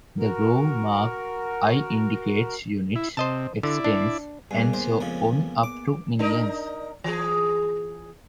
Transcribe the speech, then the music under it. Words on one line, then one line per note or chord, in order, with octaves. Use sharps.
The groove marked I indicates units, X tens, and so on up to millions.
F#4 A#4
E4
C3 C5 D#5 A5
D3 E4 D5
D4
G2 A#3 B3 G#4
D#2 C5
F2 G#2 C#3
D6
D4 D#4 A#4
E3 G#4